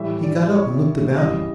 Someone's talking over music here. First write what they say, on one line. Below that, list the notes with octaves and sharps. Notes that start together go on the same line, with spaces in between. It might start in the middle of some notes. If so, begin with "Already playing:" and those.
He got up and looked about him.
Already playing: A2 E3 G3 E5
D5
C#5
C#3 E3 G3 D#5